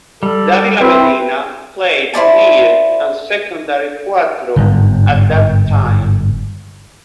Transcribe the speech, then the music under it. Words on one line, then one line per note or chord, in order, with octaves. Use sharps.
Davila Medina played lead and secondary cuatro at that time.
G3 A4
C4 E4 B4
E4 C5 D5 A5
G1 G#2